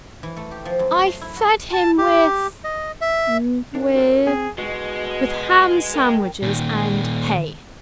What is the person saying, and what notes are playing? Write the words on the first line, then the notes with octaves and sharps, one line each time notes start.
I fed him with--with--with Ham-sandwiches and Hay.
E3
A3
G4
F3
F#2
A3
C6
E4
F#4
A5
G4
D#5
E5
F#2 D4
F#4 A4 A#4
C4 G#4
B2 G#3 F#4 G#4
A#4 G5
A#2 D#3